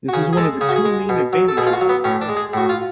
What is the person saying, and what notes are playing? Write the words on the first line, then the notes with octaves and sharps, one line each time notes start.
This is one of the two main advantages of callbacks.
F#4
C#3 G#4
G#4
G#3 A4
C#3 G#4
F#4
G#4
G#3
B2
F#3
A4
B2 G#4
F4
F#4
F#3
B3
A2 C#4
D4
G#3
G#4
A2 F#4
F4